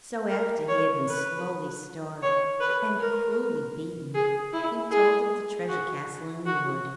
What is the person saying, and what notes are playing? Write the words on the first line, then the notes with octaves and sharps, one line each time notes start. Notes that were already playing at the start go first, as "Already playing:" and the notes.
So, after he had been slowly starved and cruelly beaten, he told of the treasure castle in the wood.
A#4
C#5
B4
C#5
B4
A#4
G#4
E4
G#4
F#4
F#4